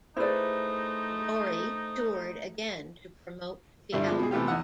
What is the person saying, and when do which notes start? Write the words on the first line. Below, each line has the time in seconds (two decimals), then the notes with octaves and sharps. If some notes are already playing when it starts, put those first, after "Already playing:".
Lorie toured again to promote the album.
0.17 A3 D#4 E4 G#4 B4 C5 D5
3.92 G2 D3 G3 E4
4.07 F3 G#3 B3
4.19 B2 G#4
4.31 C3 E3 A3 B3 F4 G4
4.47 E2 D#4 F#5 E6